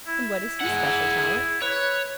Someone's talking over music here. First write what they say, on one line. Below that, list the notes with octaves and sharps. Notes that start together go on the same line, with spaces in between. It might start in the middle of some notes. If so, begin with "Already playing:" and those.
"And what is his especial talent?"
E4
G#4 F#5
B4 C#5